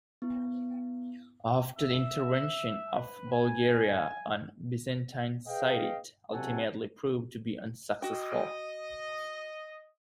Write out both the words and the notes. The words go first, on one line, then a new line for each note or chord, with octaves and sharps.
After the intervention of Bulgaria on Byzantine side it ultimately proved to be unsuccessful.
B3 E4
E5
B4
G#5
G#4 B4 D#5 F5 G5
C#2 C3 F#3 A4 F#5 G#5
F#4 D#5 G5